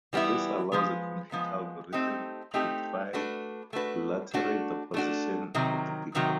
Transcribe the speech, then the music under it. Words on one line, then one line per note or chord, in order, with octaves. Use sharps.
This allows a computer algorithm to trilaterate the position of the beacon.
E3 G3 B3 E4
F3 G#3 B3
F3 G#3 B3
A3 C4 D#4 G4
A3 C4 D#4 G4
A3 D4 F#4 B4
A3 D4 F#4 B4
A3 D4 F#4
A3 D4 F#4
C3 D#3 F#3
C3 D#3 F#3